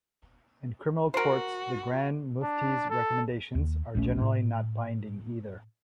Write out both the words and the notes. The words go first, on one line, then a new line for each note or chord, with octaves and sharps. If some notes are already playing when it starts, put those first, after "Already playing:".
In criminal courts, the Grand Mufti's recommendations are generally not binding either.
F#4 A#4 C5
D4
A4
D#2
D1 A#1 A3 C#4
A2